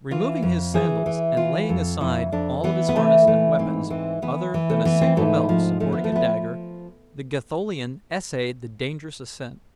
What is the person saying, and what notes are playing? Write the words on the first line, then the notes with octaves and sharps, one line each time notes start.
Removing his sandals and laying aside all of his harness and weapons other than a single belt supporting a dagger, the Gatholian essayed the dangerous ascent.
E3 F4
F2
E3 G#4
E3
E3 F4
F2
F2 E4
F2 D4
E3 B3
B3
E3 A3
E3 A3
G#2 C4
E3 C4
E3 B3
E3
A3
E3 B3
C4
G#2 A3
F3
F3 A3
B3
A3
F3 B3